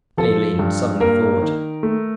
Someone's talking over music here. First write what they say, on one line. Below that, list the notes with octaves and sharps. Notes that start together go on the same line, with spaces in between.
Then he leaned suddenly forward.
F3 A4
G2
A#3 A#4
D#3
A3